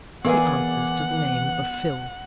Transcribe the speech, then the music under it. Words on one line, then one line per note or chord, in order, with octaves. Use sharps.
He answers to the name of Phil.
E3 B3 G#4 A#4 D5 F5 F#5